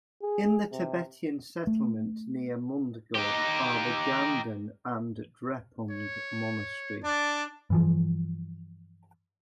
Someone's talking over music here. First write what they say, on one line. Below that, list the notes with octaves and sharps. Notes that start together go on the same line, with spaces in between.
In the Tibetan settlement near Mundgod are the Ganden and the Drepung Monastery.
G#4
C3
A3
D#4 G4
C#5
D4 D5
G2 E3 F3